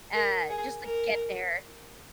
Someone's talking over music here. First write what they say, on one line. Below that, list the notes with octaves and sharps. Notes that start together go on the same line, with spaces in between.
uh, just to get there.
A#4
G#4
A#4